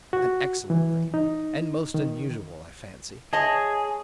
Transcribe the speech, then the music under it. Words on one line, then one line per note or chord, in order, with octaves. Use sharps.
An excellent thing--and most unusual, I fancy.
F#4
E3
D#4
D#3
G#4 C#5 D#5 A5